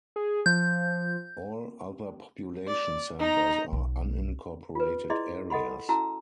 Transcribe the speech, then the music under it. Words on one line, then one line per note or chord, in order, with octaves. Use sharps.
All other population centers are unincorporated areas.
G#4
F3 G6
D5
D#4 A#5
B1
F4 B4
E4 G#4 D5 D#5 C6
A4 D#5 F#5 B5 C6
C#4 E4 F#4 A5 A#5 E6